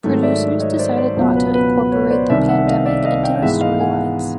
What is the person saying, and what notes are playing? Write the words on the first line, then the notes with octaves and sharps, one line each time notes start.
Producers decided not to incorporate the pandemic into the storylines.
G#2 D#3 F#3 A3
D5 E5
C#5 D#5
C5 D5
C5 D5
C#2 B2 F#3 B3 C5
B4
B4
B4 C#5
C5 D5
C2 C3 D#3 D5 E5
E5 F#5
D#5 F5
D5 E5
D#5 F5
F5 G5
G5
G#2 E3 G#3 B3 E5 F#5
D#5 F5
F#5 G#5